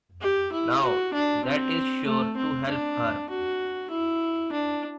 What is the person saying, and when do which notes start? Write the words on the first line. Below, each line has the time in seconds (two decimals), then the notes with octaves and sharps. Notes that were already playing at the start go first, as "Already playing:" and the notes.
Now that is sure to help her!
0.21 G4
0.52 E4
0.83 F#4
1.13 D4
1.45 C4
2.06 A3
2.37 C4
2.67 D4
3.29 F#4
3.90 E4
4.52 D4